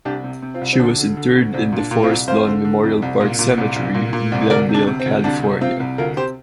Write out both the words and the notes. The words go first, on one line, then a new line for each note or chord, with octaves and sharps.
She was interred in the Forest Lawn Memorial Park Cemetery in Glendale, California.
C2 D4 G4
C3
C3
C4 F4
C2
C4
D2 D4
D3
D3
D2
C2 C4
A#2
D4
A#2
C4 F4
C2
F2 C5 F5
D3
D3
F2
C2
A#2
A#2
C2
C2
A#2
A#2
C2
D2 A#4 D5
C3
D4
C3
C4
D2
C2 D4
C3
C3 C4 F4
C2
D2 F4 A#4
C3 G4 C5